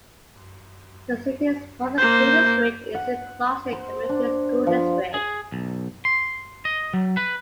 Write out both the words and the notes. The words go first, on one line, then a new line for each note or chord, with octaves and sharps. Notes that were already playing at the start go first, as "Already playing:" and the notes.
The city's public school district is the Clarkston Community School District.
A#3 C5 G6
F#5
C5
D4
F3
G#4
B1
C6
D#5
F#3
B4